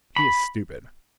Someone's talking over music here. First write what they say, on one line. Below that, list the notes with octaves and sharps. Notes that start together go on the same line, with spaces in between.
He is stupid.
B5